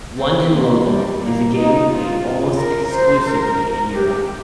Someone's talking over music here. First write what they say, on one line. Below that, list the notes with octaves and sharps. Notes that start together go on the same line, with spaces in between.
London lowball is a game played almost exclusively in Europe.
C4
A#3
G3
A#3
D#4
F4
A#4
C5
A#4
G4